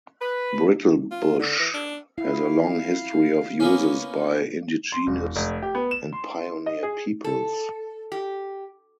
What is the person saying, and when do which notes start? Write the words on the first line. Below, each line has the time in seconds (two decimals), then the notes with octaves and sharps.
Brittlebush has a long history of uses by indigenous and pioneer peoples.
0.21 B4
1.11 F4
1.39 D3
1.59 E3
1.74 D4
2.18 E4 F5
3.60 A#3 B3 C#4
4.92 C6
5.07 E1
5.36 F1
5.62 G4
5.75 B3
5.91 E7
6.13 C6
6.66 D#5
6.83 G#4
7.24 A4
8.12 G4